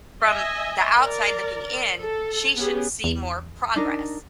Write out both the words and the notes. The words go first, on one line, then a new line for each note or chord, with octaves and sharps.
from the outside looking in, she should see more progress.
D#5 E5 G#5
A#4 D5
A4
B3 C#4 G4 G#4
E2
D4 D#4 A#4